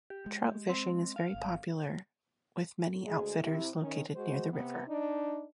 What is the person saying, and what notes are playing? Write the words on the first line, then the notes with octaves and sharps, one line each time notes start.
Trout fishing is very popular with many outfitters located near the river.
G4
G#3
C4
F5
G1
D2 G#3 G#4
C3 E4
D#3 C#4
G#3 F#4 C5
C3 B3
D4 D#4